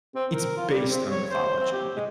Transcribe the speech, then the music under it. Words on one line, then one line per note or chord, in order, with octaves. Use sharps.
It's based on mythology, it's
C4
A#4
F4
G3
C4
C#5
C5
C4
G4
G#3